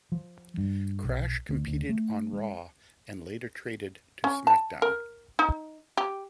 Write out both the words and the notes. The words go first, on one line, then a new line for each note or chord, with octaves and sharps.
Crash competed on Raw and later traded to SmackDown!
F3
G2
B1
D2
D2
A3
G#3
C#4
A5
A#4
D#4
G4